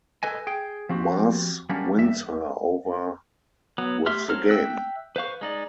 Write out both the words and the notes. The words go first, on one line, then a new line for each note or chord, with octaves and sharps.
Mars wins her over with the game.
A4 B4 D#5 G#5
G#4 G5
F3 C4 F#4 G4
F#3 G3 A#3 C#4 D4
E2 G2 E5
F#3 B3
A3 G4 E5 C6 F6
F#3 C4 A4 F6
E5 G5 E6 F#6
B4 C5 F5 C#6
G#3 D#4 D5